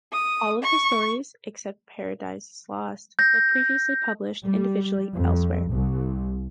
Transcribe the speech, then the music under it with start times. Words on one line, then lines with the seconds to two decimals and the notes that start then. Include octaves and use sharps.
All of the stories, except "Paradises Lost", were previously published individually elsewhere.
0.12 D#6
0.62 C#6
3.19 G6 A#6
4.44 G3
5.14 F2
5.69 C2